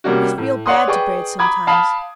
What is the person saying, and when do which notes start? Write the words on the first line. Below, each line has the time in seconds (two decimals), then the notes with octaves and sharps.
He's real bad to birds sometimes.
0.04 C3 G3 A#3 C#4 F#4
0.38 A2
0.66 C#5 D5 F#5 C6 D#6
0.87 G#4 B4 D5 G5 C#6
1.39 A#5 B5 D6 D#6 G#6
1.67 F5 A5 B5 D#6